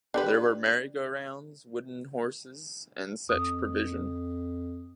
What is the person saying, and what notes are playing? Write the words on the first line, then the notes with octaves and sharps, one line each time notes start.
There were merry-go-rounds, wooden horses, and such provision.
D4 G4 B4
F2 D#6